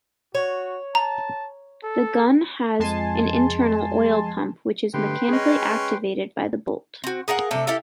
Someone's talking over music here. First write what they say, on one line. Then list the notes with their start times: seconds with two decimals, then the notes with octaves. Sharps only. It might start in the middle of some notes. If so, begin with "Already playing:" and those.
The gun has an internal oil pump which is mechanically activated by the bolt.
0.35 F#4 C#5
0.95 A5 A#5
1.83 A4
2.79 F2 G#3 G#5 A5 C6
4.94 D3 A3 G4 B4 G5 C6
5.29 C#4 G#4 D#5
7.04 C4 F#4
7.28 G#4 A#4 F5 F#5
7.51 C3 A3 D4 A4
7.67 E4 G4 A4 F5